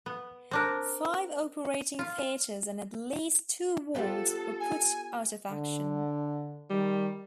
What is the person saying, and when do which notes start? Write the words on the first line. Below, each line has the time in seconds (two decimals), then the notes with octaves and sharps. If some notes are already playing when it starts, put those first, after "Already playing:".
Five operating theatres and at least two wards were put out of action.
0.06 B3
0.51 C4 D4 A#4
1.99 F4
3.95 B3 F4 G4 A4
4.60 G#5
5.51 D3
6.70 D#3 G3